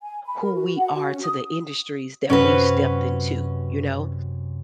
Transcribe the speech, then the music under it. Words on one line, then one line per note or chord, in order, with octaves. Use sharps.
who we are to the industries that we stepped into, you know?
G#5
B5
A#4
F#4
F#5
F#4
C#4
D#6
F#2 C3 C#4 F#4 B4 C#6